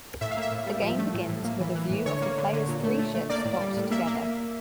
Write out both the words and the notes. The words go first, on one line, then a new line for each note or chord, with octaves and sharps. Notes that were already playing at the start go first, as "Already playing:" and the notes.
The game begins with a view of the player's three ships docked together.
A2 E5
F5
A#3
E5
A2
G3
F3
A3
A2
A2
A#3
E3
E3
A2
D3 C#5
A#3
D3
D3
A#2
A3
A3
A3
A#3 D5
A2
G3
A2
A#3 E5
A#3